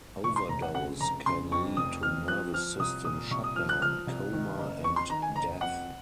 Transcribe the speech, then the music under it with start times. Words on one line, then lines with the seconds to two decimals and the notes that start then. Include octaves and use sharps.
Overdose can lead to nervous system shutdown, coma and death.
0.24 F1 C#6
0.36 C6
0.49 F1 A#5
0.62 F#5
0.75 C#3 F#5
1.01 F1 A#5
1.26 C#3 C6
1.52 F2 C#6
1.77 F1 D#6
2.03 F2 F6
2.28 F3 F#6
2.54 F3 F6
2.79 C2 D#6
3.05 A#2 D#6
3.31 C2 C#6
3.44 D#6
3.56 F3 F6
3.69 F#6
3.81 F3 F6
4.07 C2
4.33 D#3
4.58 F#1
4.84 F2 C#6
4.96 C6
5.10 D#3 A#5
5.22 G#5
5.35 F#1 A#5
5.61 F2 F#5